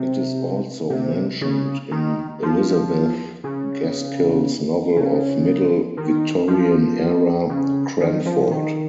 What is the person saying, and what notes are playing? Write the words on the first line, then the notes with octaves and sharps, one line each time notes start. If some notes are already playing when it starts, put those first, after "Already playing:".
It is also mentioned in Elizabeth Gaskell's novel of middle Victorian era, "Cranford".
Already playing: C3
C3
C#3
D#3
F3
C#3
C#3
D#3
F3
C#3
D#3
F3
D#3